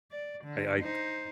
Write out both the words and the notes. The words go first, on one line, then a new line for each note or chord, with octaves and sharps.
I I
D5
D3
D#4 C5